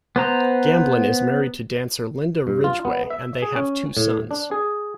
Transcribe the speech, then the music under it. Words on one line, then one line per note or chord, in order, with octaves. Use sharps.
Gamblin is married to dancer Linda Ridgway and they have two sons.
B3 C5 A#5
G2
F4
B3
E5
G#4
C#4
A2
D4
G#4